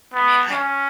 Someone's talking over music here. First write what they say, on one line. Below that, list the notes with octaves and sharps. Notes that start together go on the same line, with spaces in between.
I mean, I
B3
C#4